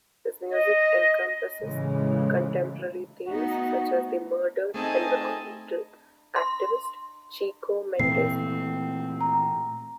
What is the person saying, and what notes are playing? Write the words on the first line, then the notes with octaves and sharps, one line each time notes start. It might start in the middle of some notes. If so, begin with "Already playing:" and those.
His music encompasses contemporary themes such as the murdered environmental activist, Chico Mendes.
D#5
A2 C#3 E3 G#3
A3 B3 D#4 F#4
A3 C4 D#4 G#4 D#5 G#5 A5
C6
A#2 E3 A3 C4 C7
A#5